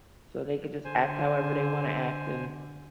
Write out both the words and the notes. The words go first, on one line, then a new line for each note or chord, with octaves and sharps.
so they could just act however they wanna act and
D3 C5 G#5